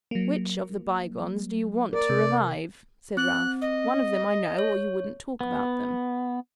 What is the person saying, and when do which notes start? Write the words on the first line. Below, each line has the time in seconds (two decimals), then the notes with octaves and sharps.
'WHICH of the bygones do you want to revive?' said Ralph. 'One of them, I know, or you wouldn't talk about them.'
0.11 F#3 A#3
1.93 A#4 D5
2.09 C3
3.17 C4 F#6
3.61 D#5
4.59 C#5
5.41 B3